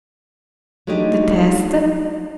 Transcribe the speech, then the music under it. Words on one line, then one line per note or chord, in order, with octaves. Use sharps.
"The test?"
F#3 G#3 A3 D4 D#4 G4